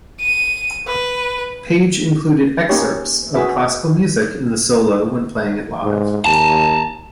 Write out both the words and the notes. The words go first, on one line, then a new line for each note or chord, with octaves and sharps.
Page included excerpts of classical music in the solo when playing it live.
D#7
B4
A#3 C#4 D#4 G4 C#5
F#4 G#4 B4 E5
G#2
D#2 A5 A#5